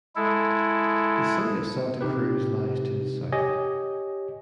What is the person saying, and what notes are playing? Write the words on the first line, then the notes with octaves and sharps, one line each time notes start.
The city of Santa Cruz lies to the south.
G#3 E4 A4
C3 D#4 G4 B4
G4 C#5 D#5 G#5